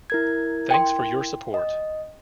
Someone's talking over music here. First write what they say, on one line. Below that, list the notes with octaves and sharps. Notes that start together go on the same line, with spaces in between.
Thanks for your support!
E4 A#4 G#6
G5 C6
D#5